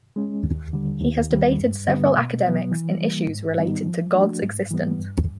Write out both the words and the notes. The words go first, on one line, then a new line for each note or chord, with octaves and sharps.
He has debated several academics in issues related to God's existence.
G#3 C#4
D#2
D3 G3
D#2
D#3 G3
G2
D3 G3 B3
B2
F#3 B3
E3
G3 A#3
G#2
D#3 G3 B3 D#4
F3
A3 D4 F#4
G#2
E3 G3 B3
G2